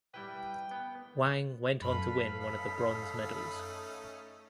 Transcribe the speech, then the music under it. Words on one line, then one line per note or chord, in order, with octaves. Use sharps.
Wang went on to win one of the bronze medals.
G3 E4 B4 G5
B3
F#2 A4 B4 F5 B5
A3 C#4 D#4